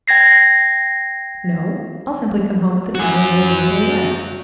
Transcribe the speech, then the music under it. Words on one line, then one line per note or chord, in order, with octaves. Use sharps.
"No, I'll simply come home at the time of their noonday rest."
G5 G#6 A#6 C7
F#4 G#5